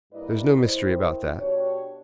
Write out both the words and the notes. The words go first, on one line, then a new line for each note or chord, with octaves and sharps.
There is no mystery about that.
G2 A#3 E4 B4 D5 D#5
D#3 E4 C5
B2 D4 G4 C#5